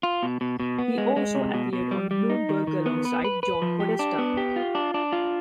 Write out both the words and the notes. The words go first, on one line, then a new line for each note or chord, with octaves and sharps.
He also appeared on Bloomberg alongside John Podesta.
F4
B2
B2
B2
B3
G#3
G#3
C3
B2
B2
G3
G3
D#4
D#3
D#3
B3
B4
B4
B4
F3
G4
D4
B3
G4
F4
D4
D4
F4